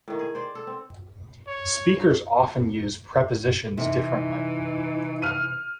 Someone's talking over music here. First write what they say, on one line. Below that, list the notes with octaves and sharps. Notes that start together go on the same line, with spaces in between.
Speakers often use prepositions differently.
A2 D#3
G#4
C5 D5
A4
C4
C#5
C3 E3 D#4
D#4
F6 D#7